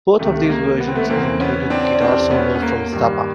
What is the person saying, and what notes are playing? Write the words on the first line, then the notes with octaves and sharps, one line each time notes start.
Both of these versions included guitar solos from Zappa.
C#2 C3 D#3 A3
A#3
B3
C4
A3 B3
E2 C#3 E3 A#3 C4
B3 C#4
C4 D4
C#4
E2 C3 E3 C4 D4
B3 C#4
B3
A#3
G2 D#3